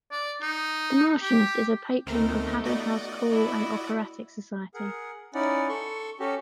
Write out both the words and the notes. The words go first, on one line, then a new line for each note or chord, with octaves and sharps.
The Marchioness is a patron of Haddo House Choral and Operatic Society.
D5
D#4
G4
D2 A3 B3 C4 D#4 A#4
F#4 D5 D#5
E4
G#4 A#4 F#5
C#4 D#4 E4 D5 F#5
A4 C6 C#6
C#4 F#4 G4 A4